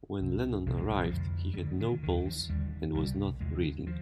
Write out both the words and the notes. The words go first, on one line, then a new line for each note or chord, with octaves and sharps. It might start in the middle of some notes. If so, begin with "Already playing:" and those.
When Lennon arrived, he had no pulse and was not breathing.
C2 C3
C2 A#2 F3
G#3
G3
F3
F2 D3
G3
D2 D3 F3
D#3
D#2 D3 D#3
F3
D#2 D3 G3
C2 C3 G3
D#2 D3 G#3
F3